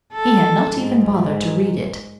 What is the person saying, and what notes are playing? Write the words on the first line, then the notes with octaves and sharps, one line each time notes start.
He had not even bothered to read it.
A4
G#2